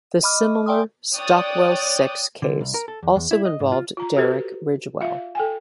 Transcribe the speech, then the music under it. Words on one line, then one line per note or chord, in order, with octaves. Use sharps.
The similar "Stockwell Six" case also involved Derek Ridgewell.
D#5 B5 D6 F6
D5 G5 G#5 C6 D#6
C#5 D5 G5 D#6 F#6 A6
D3
C2
A#4
A4
E2
E2
E4
D#5
G#2
F4
F4 A#5
F#4 G4 A4 B4 C5
F4 E5 F5
A4 G5 G#5